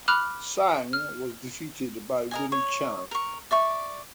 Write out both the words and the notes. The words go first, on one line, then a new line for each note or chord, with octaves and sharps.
Tsang was defeated by Winnie Chan.
B5 D6 F6 F#6 F7
F6
A#4 D#5 G#5
C#5
A#4 C#6
D5 E5 C#6